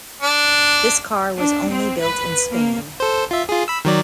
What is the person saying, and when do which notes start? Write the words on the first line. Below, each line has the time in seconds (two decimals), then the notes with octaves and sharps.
This car was only built in Spain.
0.21 D4
1.36 D4
1.69 C4
2.00 B4
2.51 A#3
3.00 A4 C5
3.31 F4 E5
3.49 F4 G#4
3.68 B5 E6
3.85 D#3 F#3 D5